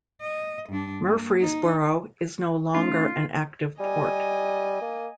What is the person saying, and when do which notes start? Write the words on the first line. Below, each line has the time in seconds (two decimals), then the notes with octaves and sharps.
Murfreesboro is no longer an active port.
0.21 D#5
0.69 G2 D4
1.05 A#3
1.40 D#4
2.75 A3 C#4 D#4 F4
3.80 G3 D#5 G#5
4.82 A#3